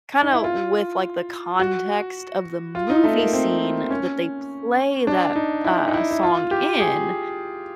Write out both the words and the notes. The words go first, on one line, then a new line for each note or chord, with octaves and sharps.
kinda with, like, the context of the movie scene that they play that, uh, song in,
D#4
E4
F4
F#4
F4
D#4
A3
A#3
C4
C#4
D4
D#4
E4
D#4
E4
E4
F4
G4
G#4